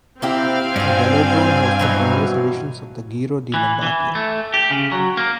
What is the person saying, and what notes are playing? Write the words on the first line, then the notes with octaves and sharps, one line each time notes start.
The velodrome hosted various editions of the Giro di Lombardia.
A#3 C4 E4 G4 F5
G2 F4 D5 G#5
B2 E3 F#3
E3
E3
A3
G4
C#3
F#3
A#3